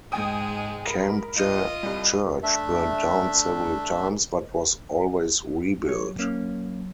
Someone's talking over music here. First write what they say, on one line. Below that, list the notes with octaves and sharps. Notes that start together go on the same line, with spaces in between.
Kambja Church burned down several times, but was always rebuilt.
G#2 G#3 G#4 G5 G#5 D#6
A#4 B5
F4 D#5
C2 G3
A3 D4 E5
F#3 C#5
A#3 C#4